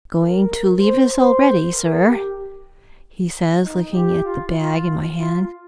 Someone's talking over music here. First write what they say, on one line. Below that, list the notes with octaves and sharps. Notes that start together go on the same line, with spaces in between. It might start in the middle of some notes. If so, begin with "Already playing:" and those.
"Going to leave us already, sir?" he says, looking at the bag in my hand.
A#4
C5
C5
A#4
G4
D#4
G4
F4
F4
F4